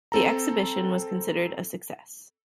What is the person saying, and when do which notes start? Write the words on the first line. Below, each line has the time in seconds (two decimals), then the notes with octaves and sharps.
The exhibition was considered a success.
0.12 C4 A4 A#5